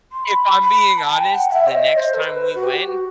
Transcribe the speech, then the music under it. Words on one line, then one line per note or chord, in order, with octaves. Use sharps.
if I'm being honest, the next time we went
C6
B5
B5
A5
G5
F#5
F#5
E5
C5
D#5
C5
A4
B4
B4
F#4
G4
F#4